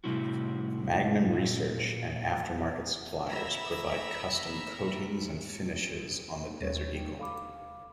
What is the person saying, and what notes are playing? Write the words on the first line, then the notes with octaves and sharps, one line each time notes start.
Magnum Research and aftermarket suppliers provide custom coatings and finishes on the Desert Eagle.
A2 C3 G3 C4 E4 F#4
A#2
E5 A#5 B5 E6
D#2 G3 C#4 C#5
G3 G4
A4 F5 B5 D6